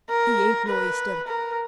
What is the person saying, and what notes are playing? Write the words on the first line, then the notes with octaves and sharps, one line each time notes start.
He ain't no oyster.
A#4
B4
A#4